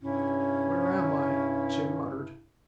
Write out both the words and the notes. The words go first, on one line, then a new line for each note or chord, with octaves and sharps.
"Where am I?" Jim muttered.
G2 C3 C#4 E4